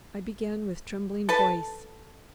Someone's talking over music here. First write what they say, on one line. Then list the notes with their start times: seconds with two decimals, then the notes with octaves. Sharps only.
I began with trembling voice.
1.29 A4 B4 A5